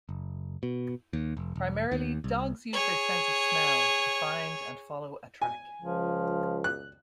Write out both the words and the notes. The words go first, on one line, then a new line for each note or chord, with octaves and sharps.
Primarily, dogs use their sense of smell, to find and follow a track.
F#1
B2
D#2
F1
E1
D#2
C2
G#4 C#5
G#5
C#2 F3
F#6